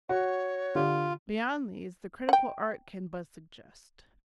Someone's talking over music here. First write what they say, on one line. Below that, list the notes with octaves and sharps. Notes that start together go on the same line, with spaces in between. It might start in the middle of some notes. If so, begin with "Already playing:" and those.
Beyond these the critical art can but suggest.
F#4 C#5
D3 F4 G4
F#5 G5